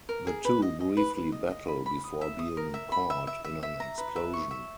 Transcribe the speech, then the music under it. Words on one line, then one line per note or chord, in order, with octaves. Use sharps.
The two briefly battle before being caught in an explosion.
A#4
G#4
B4
D#5
D#5
B4
B4
D#5
D#5
B5
B5
D#6
E5
D#6
A#4
E5
B5
E5
E5
E5
E5
A#5
B4
E5
C#6
E5